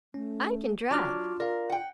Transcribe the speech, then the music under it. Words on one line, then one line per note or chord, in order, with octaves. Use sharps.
I can drive.
A3 C#4
F#3 D4 F4 A5 D6 F6
A#4 D5 F5
F#5 G5